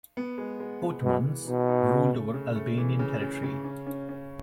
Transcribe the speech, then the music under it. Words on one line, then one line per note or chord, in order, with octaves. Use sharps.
Ottomans ruled over Albanian territory.
B3
G#3
G#3
B3
B2 E3
E3
B2 D#4
D#4
C#3
A3
C#3
A3
E3
C#3
C#3
C#3
C#4
C#4
C#4